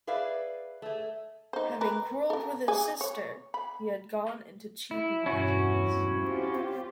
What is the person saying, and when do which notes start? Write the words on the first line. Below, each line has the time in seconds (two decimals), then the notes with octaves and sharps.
Having quarrelled with his sister, he had gone into cheap lodgings.
0.07 G#4 B4 D5 E5 F5
0.82 A3 G#4
1.53 D#4 C5
1.81 A#4 B4
2.30 A4 A#4
2.68 G#4 G#5
3.01 C#5
3.54 B5
4.91 E4
5.26 E2 G2 B2 C#4 E4 F#4
6.18 C4 F4 G4